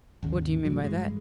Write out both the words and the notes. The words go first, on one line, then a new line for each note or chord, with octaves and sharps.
"What do you mean by that?"
G#1 D#2 C#3
A2 E3 F#3
G2 G#3